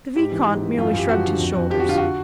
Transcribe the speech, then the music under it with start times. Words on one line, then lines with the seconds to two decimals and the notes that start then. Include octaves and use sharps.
The vicomte merely shrugged his shoulders.
0.16 G#2 G4
0.32 E3
0.47 G#2
0.62 E3
0.77 F#2 F4
0.93 F#2 G4
1.09 F3 F#4
1.25 D3
1.39 F2
1.55 F2
1.70 F3 G4
1.80 F#4
1.86 D3 F4
1.98 F#4